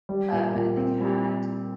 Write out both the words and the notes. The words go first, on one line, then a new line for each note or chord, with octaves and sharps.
um, and they had,
G3
A#2
A#2
C4
G3